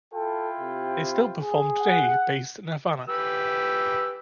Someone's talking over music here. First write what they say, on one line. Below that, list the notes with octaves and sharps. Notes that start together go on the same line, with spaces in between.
They still perform today, based in Havana.
E4 F4 A4 G5
C3
G#4
F#5
G4 B4 E6